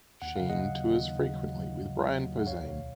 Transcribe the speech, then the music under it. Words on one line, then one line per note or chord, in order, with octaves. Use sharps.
Sheen tours frequently with Brian Posehn.
D#2 F#5
C#3 F5
D#5 F#5
F#3
D#2
D#2
C#3
F#3
D#2
D#2
C#3
F#3
D#2
F#5
C#2 C#5 F5
B2